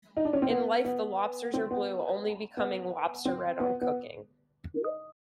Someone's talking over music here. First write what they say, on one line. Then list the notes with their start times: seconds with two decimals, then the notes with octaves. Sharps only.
In life, the lobsters are blue, only becoming "lobster red" on cooking.
0.17 D#4
0.25 D4
0.33 C#4
0.42 C4
0.50 B3
0.85 B3
1.54 C4
1.71 B3
2.57 B3
3.25 C4
3.60 B3
3.81 B3